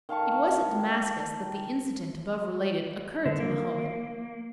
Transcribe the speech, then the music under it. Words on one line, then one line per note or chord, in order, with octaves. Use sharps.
It was at Damascus that the incident above related occurred to Mahomet.
D#3 F5 A5 C#6
D3
A#3